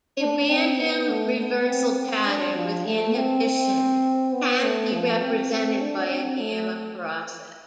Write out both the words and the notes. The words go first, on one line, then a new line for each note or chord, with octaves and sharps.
A random reversal pattern with inhibition can be represented by a gamma process.
D4
C4
B3
A3
B3
C4
C4
D4
F3
A3
C4
C4
B3
A3
F3
C4
C4
D4
C4
A3